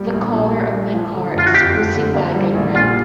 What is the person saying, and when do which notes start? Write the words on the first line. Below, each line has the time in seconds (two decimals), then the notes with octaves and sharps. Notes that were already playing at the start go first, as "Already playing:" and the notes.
The color of my car is pussy waggon red.
Already playing: A#1 G3 G4
0.13 A#1
0.33 A#2
0.53 A#1
0.73 G3
0.93 F3
1.14 D3
1.34 F#1 F4
1.46 F#4
1.54 F2 G4
1.74 F3
1.94 D3
2.14 A#3
2.35 G3
2.55 A#1
2.75 A#2 F4